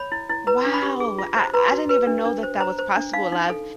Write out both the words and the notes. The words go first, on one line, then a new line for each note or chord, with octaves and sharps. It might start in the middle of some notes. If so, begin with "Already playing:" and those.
Wow, I I didn't even know that that was possible. I've
Already playing: C#5 B5
E4
E4
B4 A#5
D4
B5
G4
G#4
F4
C5
B4 A#5
F#4
B4
D4
D4
C5
C5 A#5
C5
D4
D#4 F5
D#4
A4